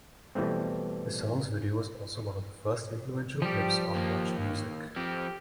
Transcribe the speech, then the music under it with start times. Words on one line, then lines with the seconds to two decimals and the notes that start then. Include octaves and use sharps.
The song's video was also one of the first influential clips on MuchMusic.
0.35 B2 E3 G3 A3 C4
3.42 F3 G3 G4
3.95 D#2 A#3
4.96 F3 C4 G4